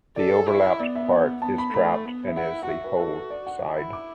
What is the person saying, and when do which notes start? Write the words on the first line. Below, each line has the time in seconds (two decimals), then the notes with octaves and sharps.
The overlapped part is trapped and is the hold-side.
0.16 A4 D5
0.49 E4
0.80 B3 D5
0.96 E5
1.11 F#5
1.42 B3 A5
1.58 B5
1.73 A3 B5
2.05 B3
2.27 E5
2.36 E4 F#5
2.63 F#5
2.68 F#4 E5
2.84 B4
3.00 A4
3.30 D5
3.47 F#5
3.61 E4
3.78 B5
3.93 D6